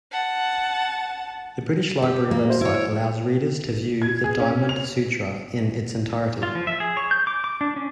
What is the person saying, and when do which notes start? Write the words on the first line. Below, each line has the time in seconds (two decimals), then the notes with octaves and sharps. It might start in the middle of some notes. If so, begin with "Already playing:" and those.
The British Library website allows readers to view the Diamond Sutra in its entirety.
0.11 F#5 A5
2.02 G4
2.31 A#3
2.48 F#4 C5
2.61 E4 C#5
4.02 G#6
4.24 G#4
4.40 C#4
4.69 F7
6.43 F4
6.55 F3
6.67 E5
6.80 G#4
6.97 C#5
7.11 G6
7.27 D6
7.44 D6
7.61 D4
7.76 C#4